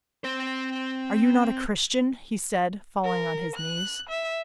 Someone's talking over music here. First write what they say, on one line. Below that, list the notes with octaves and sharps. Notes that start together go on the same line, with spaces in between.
"Are you not a Christian?" he said, falling on his knees.
C4 C5
A#4
F#6
E5